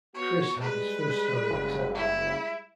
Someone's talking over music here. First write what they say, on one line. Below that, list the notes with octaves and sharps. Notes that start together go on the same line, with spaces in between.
Chris had his first story accepted.
B3 F#4 C#5
G3 G#3 G#4 B4
F#1
E4